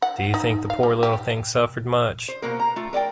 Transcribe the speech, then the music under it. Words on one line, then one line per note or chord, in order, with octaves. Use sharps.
Do you think the poor little thing suffered much?
F#5
D#4
F5
G3
G4
C5
B2 A#3 A#4
A#5
A3 F4
A#4 D5 F#5 G5